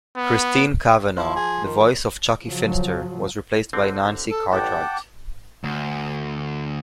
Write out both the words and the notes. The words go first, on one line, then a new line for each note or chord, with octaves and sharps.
Christine Cavanaugh, the voice of Chuckie Finster, was replaced by Nancy Cartwright.
B3
F3 E4
G#4
D#3
C#3 F3 F#3
A1 D3 C4
A4
A1 G2 F#5 G5 A5 D6
D2